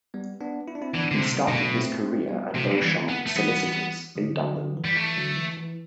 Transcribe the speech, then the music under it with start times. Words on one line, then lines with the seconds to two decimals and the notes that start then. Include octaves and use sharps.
He started his career at Beauchamps Solicitors in Dublin.
0.14 G3 B3
0.41 B3 D4
0.68 E4
0.75 D4
0.82 C4 E4
0.94 E3 B3 D4
1.11 D3 A3 C4
1.21 C3
1.35 G3 B3
1.48 B2
1.55 F#3 A3
1.74 A3 C4
2.01 A3 C4
2.28 G3 B3
2.55 C3 F#3 A3
2.75 G3 B3
2.82 E3
2.95 A3 C4
3.09 B3
3.26 A3
3.36 E3 G3 B3
4.16 D3 F#3
4.36 D3 F#3
4.56 D3 F#3
4.77 E3
4.85 G3
4.97 E3 A3
5.17 D3 F#3
5.37 E3
5.57 E3